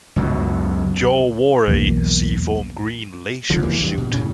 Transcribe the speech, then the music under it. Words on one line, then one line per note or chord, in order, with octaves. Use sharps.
Joe wore "a seafoam green leisure suit".
C#2 F#2 B2 F#3
B1 E2 A#3
C2 D3 F3
E2 E3 G3 A#3
A1 G2
B2
F#2 A2 C#3